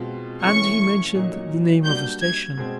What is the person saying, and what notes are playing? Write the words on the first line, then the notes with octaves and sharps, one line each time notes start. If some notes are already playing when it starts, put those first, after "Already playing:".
And he mentioned the name of a station.
Already playing: B2 G#3 C4 F4
E3 A3 C#4 C#6
A#2 F#3 A#3 D#4
G3 A#3 D4 F#4 G6
G#6
B2 G#3 C4